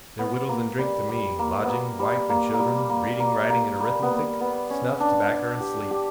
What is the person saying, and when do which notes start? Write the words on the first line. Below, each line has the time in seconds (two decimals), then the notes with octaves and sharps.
They're wittles and drink to me--lodging, wife, and children--reading, writing, and Arithmetic--snuff, tobacker, and sleep.'
0.19 B3
0.49 A#3
0.79 G3
1.09 G3
1.39 A#3
1.64 B3
1.69 A#3
1.99 G3
2.30 A#3
2.54 A#3
2.60 G3
2.90 A#3
3.20 A#3
3.50 A#3
3.80 G3
4.02 B3
4.10 A#3
4.41 B3
4.70 C#4
5.00 D4
5.60 G4
5.91 G4